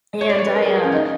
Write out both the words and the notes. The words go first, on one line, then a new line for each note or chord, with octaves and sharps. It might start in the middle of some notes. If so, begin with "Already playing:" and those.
and I, uh
C#5
D5
C#5
B4
A#4
G#4
C#4
D#4